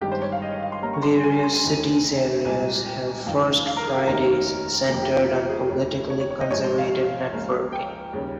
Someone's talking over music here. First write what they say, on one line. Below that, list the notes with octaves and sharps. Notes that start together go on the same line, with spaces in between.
Various cities areas have First Fridays centered on politically conservative networking.
G1 G2 D#3 G#3 C#4 G4
C5
C#5
F5
D#5
C#5
F5
C6
G2 G3 A#3 C#4 A#5
C#6
C6
G#5
G#5
G#5
C6
G#5
F1 D#2 D#3
C2 A#2 G#3 G#5
G5
F1 F2 D#3 F5
F5
A#4
G#4
G4
F1 D#2 D#3 A#3 C#4 A#4
F1 F2 D#3 A#3 G4
G4
F4
F4
G#4
F1 D#2 C#3 C#5
C#5
C#5
C#5
D#5
A#1 G#2 F3 C#5
C5
F5
C#2 C#3 F3 A#3 C#4
G5
D#2 C#3 G3 C#4